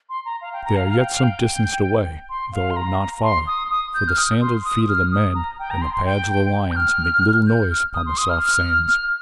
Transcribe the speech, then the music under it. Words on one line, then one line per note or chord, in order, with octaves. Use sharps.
"They are yet some distance away, though not far, for the sandaled feet of the men and the pads of the lions make little noise upon the soft sands."
C6
A#5
F5
G5
A#5
F5
F5
G5
F5
G5
C6
F5
C6
A#5
C6
D#6
D#6
G6
F6
D#6
C6
D#6
F6
D#6
A#5
G5
A#5
C6
C6
G5
G5
G5
G6
F6
G6
F6
D#6
C6
D#6
F6
F6
F6